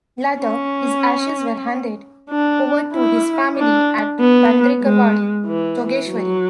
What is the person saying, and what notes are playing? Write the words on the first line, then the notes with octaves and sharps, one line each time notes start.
Later, his ashes were handed over to his family at Bandrekarwadi, Jogeshwari.
C#4
D4
E4
D4
B3
G#3
E3
F#3